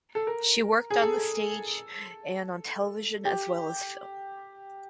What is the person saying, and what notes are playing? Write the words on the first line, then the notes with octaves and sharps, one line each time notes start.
She worked on the stage and on television as well as film.
A4
A#4
G#4
A4
G4